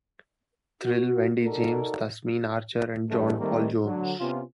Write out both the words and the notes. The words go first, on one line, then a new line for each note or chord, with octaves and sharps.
Thrill, Wendy James, Tasmin Archer and John Paul Jones.
F#4
D#4 F#4 A4 A#4 D5
A1 G2 G#3 A3
D#3 G3 A3 A#3 C4
D3 F#3
C3 B3 C#4 F4